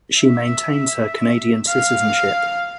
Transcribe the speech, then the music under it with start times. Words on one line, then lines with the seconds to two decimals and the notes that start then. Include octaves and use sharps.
She maintains her Canadian citizenship.
0.19 E5
1.68 F5